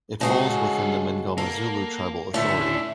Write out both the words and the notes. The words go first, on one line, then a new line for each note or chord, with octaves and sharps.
It falls within the Mngomezulu Tribal Authority.
C#3 G#3 F#4 G#4 A4
A#3 A4
A2 D3 C#4 D4 E5